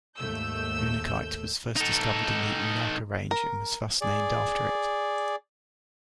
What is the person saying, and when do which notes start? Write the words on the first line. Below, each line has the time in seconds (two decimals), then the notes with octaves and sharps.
Unakite was first discovered in the Unaka Range, and was thus named after it.
0.18 D#2 G#2 A3 E6 G6
1.77 D#4 A4
3.31 A#4
4.01 G#4 D5